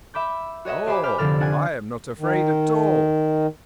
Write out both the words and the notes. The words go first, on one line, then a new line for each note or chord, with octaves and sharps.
'Oh, I am not afraid at all!'
E5 B5 D6 G6
F#4 C#5 D#5 E5 F#5
G4 C5 E5 G#5 B5 D6
B5 D6 F6 G6 B6
F1 D3 C4 A4 F6
D4 F#5 G#5
D#3